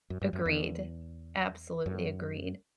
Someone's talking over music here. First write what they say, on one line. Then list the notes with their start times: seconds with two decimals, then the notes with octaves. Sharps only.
Agreed, absolutely agreed.
0.10 F#2
0.22 G2
0.33 F#2
0.46 E2
1.86 F#2